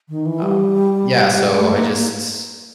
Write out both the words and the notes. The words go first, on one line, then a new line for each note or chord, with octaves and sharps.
um, yeah, so I just
D#3
E3
G3
G#3
A3
A#3